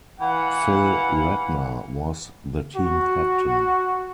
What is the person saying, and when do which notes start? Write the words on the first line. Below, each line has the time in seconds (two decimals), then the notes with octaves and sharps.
Phil Ratner was the team captain.
0.21 E3 F5 F#5
2.76 F#4